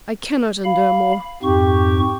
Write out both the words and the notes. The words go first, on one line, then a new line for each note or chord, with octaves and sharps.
I cannot endure more!
F5 B5
F2 G#2 G4 C#6